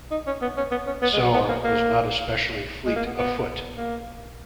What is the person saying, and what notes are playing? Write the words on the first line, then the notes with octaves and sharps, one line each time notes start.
Sauer was not especially fleet afoot.
D#4
C#4
B3
C#4
B3
C#4
B3
G#3
F#3
B3
A#3
A#3
G#3
A#3
B3
B3
A#3